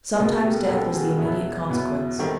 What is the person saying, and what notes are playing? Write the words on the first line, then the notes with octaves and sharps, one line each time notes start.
Sometimes death was the immediate consequence.
C#2 B2 G#3 G#4 A#4
G4 A4
C#2 B2 G#3 G4 A4
F#4 G#4
E2 B2 F#3 B3 E4
E2 B2 F#3 B3 E4
D#3 G3 C4 G4 A4